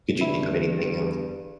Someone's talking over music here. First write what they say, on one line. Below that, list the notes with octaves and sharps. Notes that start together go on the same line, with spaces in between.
could you think of anything else?
G2 D3 E4